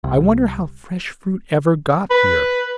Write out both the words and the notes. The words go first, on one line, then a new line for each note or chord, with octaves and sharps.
I wonder how fresh fruit ever got here.
C2
B4